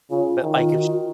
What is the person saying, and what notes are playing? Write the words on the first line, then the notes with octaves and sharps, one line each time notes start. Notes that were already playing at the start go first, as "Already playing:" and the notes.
but, like, if sh
C#3 F4
D#3
F4
F#4
F4